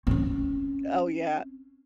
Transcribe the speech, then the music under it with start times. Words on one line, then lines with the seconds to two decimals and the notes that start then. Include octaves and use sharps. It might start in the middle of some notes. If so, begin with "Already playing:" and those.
Oh, yeah.
0.07 C4 C#4